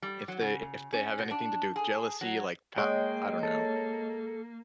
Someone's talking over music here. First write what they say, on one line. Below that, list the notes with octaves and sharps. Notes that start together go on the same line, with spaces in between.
if they if they have anything to do with jealousy, like, pa I don't know,
G3
F#3
C#3
C#4
B2
D4
G#4
F#3
G#3 A#3 C#5 D#5 G5
A4